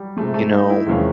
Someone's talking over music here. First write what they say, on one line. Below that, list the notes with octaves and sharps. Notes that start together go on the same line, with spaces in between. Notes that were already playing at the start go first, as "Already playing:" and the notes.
you know,
Already playing: F#3 G3
C3 F3 G#3 A3
A3
D#4
E4
E2 C3 D#3 G#3 C#4 F4